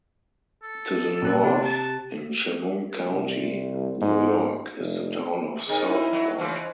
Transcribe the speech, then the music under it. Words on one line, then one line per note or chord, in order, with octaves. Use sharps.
To the north, in Chemung County, New York, is the town of Southport.
A4
A#1 F#6
C3 D4
A5
C2
G#2
F1
C3 D#4 G#4 A#4
E4
F#3
C#3 E3 F4 C5